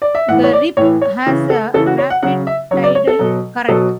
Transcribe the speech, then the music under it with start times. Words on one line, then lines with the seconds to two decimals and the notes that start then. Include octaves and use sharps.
The Rip has a rapid tidal current.
0.02 D5
0.15 E5
0.29 A2 E3 F#5
0.44 C#5
0.53 D5
0.77 A2 E3 C#5
1.02 C#5
1.26 C#3 E3
1.50 A4
1.74 C#3 E3 A4
1.86 F#4
1.98 C#5
2.10 F#5
2.23 C#3 F#3 F#5
2.47 E5
2.71 F#3 C#5
2.74 C#3
2.84 D5
2.95 C#5
3.07 A4
3.19 B2 F#3
3.68 B2 F#3 A4